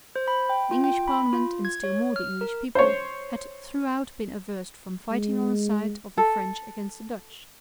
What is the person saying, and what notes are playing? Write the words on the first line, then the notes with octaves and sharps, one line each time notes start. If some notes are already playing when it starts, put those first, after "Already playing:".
The English Parliament, and still more the English people, had throughout been averse from fighting on the side of the French against the Dutch.
C5
B5
G5
F4
G5
B5
F4
G#6
C#5
F6
A#4
C5 C#5
G#3
A4